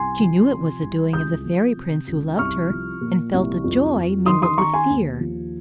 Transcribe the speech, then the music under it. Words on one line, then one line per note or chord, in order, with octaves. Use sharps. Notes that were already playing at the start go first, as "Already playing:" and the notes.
She knew it was the doing of the fairy-prince who loved her, and felt a joy mingled with fear.
Already playing: C2 G#5 C6
F3
C3
C2
C#2 D#6 G6
F3
C3
C#2
C2 C#6 F6
F3
A#2
C2
F2
F2
D#3 C6 D#6
C6 D#6
D#3 A#5 C#6
G#5 C6
D#2
F3